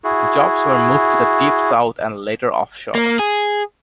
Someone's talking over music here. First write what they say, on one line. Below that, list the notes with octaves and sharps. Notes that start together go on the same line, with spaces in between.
Jobs were moved to the Deep South and later offshore.
E4 F#4 G#4
A#3
G#4